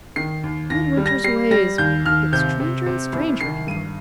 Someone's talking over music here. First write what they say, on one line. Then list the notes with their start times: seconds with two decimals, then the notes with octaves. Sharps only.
"Midwinter's ways get stranger and stranger," he thought.
0.16 D#3 C7
0.43 D#2
0.70 D#2 A#6
0.97 G3
1.06 A#6
1.24 G3 C7
1.51 G3 A#6
1.78 D#2 G6
2.06 D#2 F6
2.32 C3 G6
2.60 C3
2.86 C3
3.13 C2
3.41 D#3 C7
3.67 G2 D#7